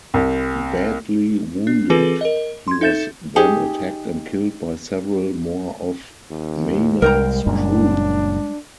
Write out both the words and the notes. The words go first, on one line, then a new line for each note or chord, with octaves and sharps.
Badly wounded, he was then attacked and killed by several more of Maynard's crew.
C2
D4
E3 C4 F4 G#4 A4 B4
A#4 D#5
C6 G#6
D#4 A4 E5 G6 A6 E7
D#4 G4 G#4
D#2
C2 G3 G#3 A#4 G5 A#5
F#1 F#2 A#2 D4